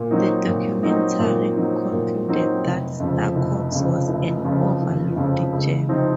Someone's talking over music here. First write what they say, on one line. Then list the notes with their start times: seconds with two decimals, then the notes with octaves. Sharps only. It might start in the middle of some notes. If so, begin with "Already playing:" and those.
The documentary concluded that "Star Cops" was an "overlooked gem".
Already playing: A#2
0.11 F#3 C4 D#4
0.48 A#2
0.83 F#3 C4 D#4
1.19 A#2
1.55 F#3 C4 D#4
1.91 A#2
2.28 F#3 C4 D#4
2.64 F1
3.00 F2 C#3 F3
3.36 F1
3.72 F2 C#3 F3
4.08 F1
4.44 F2 C#3 F3
4.81 F1
5.16 F2 C#3 F3
5.52 C#2
5.89 C3 F3 C4 D#4